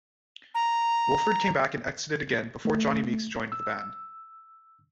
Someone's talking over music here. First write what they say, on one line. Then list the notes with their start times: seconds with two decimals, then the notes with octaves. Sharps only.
Williford came back and exited again before Johnny Meeks joined the band.
0.55 A#5
2.65 A3
3.52 E6